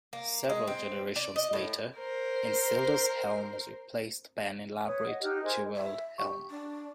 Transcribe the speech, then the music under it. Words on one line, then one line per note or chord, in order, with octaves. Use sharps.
Several generations later, Isildur's helm was replaced by an elaborate jewelled helm.
A#3
G#3
C4
D5
D#5
A2
A#4 C5
B4 C#5 D#6
D#5 F#5
D#4 G4 F6 F#6
G#4 A#4 C5 D#5
E5
G4 C#6
D4